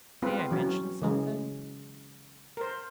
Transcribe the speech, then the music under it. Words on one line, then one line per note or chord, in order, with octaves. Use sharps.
May I mention something?'
G#3 B3 C4 F4 B4
E3 F#3 C#4
C#3 E3 G#3
A#4 C5